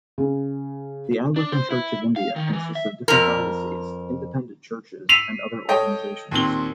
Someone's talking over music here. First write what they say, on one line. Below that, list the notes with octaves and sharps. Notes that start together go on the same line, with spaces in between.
The Anglican Church of India consists of different dioceses, independent churches and other organizations.
C#3
D4
C5
E4
F5
D#3
E3
E5
F2 A#4
E6 B6 C7 D7 D#7 F7
A4 C#5 D#5 G5
D#2 A#2 C4 G7